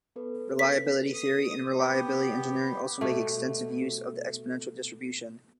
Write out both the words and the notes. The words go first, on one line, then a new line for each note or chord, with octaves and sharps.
Reliability theory and reliability engineering also make extensive use of the exponential distribution.
B3 A4 B4
B6
D#6
B3 G4
B2 A3